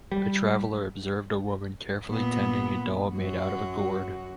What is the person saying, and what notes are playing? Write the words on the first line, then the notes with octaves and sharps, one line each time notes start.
A traveller observed a woman carefully tending a doll made out of a gourd.
G3
A#2 B3
F#2 F#4